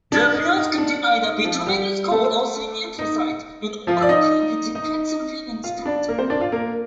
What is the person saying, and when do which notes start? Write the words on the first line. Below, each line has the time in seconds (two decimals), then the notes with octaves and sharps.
The fields contain either bituminous coal or semi-anthracite, and all occur within Pennsylvanian strata.
0.12 D4
0.34 D#4
0.56 D#4
0.78 D4
1.22 D#4
1.44 F3 F4
1.67 G3 G4
2.12 A3 A4
2.99 D#4
3.87 F3 F4
4.02 D5
4.09 D#4 D#5
4.75 D#4 D#5
5.64 F4 F5
5.85 D4 D5
6.08 A#3 A#4
6.19 C4 C5
6.30 D4 D5
6.41 F4 F5
6.52 A#3 A#4